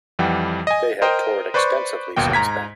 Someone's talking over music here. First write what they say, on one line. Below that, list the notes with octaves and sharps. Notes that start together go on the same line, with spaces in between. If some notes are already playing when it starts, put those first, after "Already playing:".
They have toured extensively since then.
F2 E3 G3 F#5 G5
D#5 G#5
A#4 C5 D#5 G5
B4 C5 D5 B5 C#6
G1 D#2 B2 A#3 G5
G#2 A#5 G#6 B6